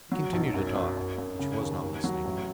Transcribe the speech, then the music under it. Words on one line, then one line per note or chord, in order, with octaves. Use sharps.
He continued to talk, but she was not listening.
F#3
B1
F#2
F#2
F#2
F#2
C#3
D#2
D#2
F#3
A1